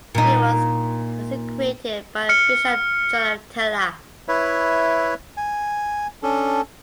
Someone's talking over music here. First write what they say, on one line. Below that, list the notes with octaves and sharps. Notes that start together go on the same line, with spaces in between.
He was consecrated by the bishop John of Tella.
A#2 D#4
F6 C#7
E4 B4 C#5 E5
G#5
C#4 D4 A4